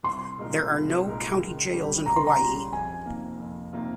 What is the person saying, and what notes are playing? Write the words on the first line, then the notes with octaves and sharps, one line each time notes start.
There are no county jails in Hawaii.
C2 C6
A#2 G#3 D#4 A#4
C2
A#2 G#3 D#4 A#4
C#2
C#3 G3 C#4 G4
C#2 A#5
C6
A#5
C#3 G3 C#4 G4
F2 G#5
C3 D#3 A#3 F4
F2
C3 D#3 A#3 F4